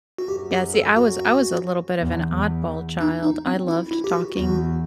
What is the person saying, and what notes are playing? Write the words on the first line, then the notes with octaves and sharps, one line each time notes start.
Yeah, see, I was I was a little bit of an oddball child; I loved talking
F#4
F#2 G4
G4
A4
F#4
E2
E2
D#4
D#4
C4
E4
E4
G4
F#4
E2 F#4